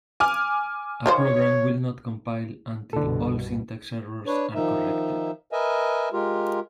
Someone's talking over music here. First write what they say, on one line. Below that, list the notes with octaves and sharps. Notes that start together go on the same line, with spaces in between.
A program will not compile until all syntax errors are corrected.
G#5 D6 F6
D#3 F3 C5 C#5
C2 G2 B2 D3 A4
D4 B4 C#5
D#3 F3 D#4 E5
A#4 B4 D#5 E5 G#5
G#3 F4 G4 A#4